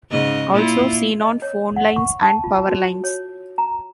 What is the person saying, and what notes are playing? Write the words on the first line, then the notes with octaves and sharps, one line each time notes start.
Also seen on phone lines and power lines.
G#2 C#3 D#5
A#2 E4 F4
D#5
C#5
F#5
C#6
A5
F4
F#4
C#5
A#5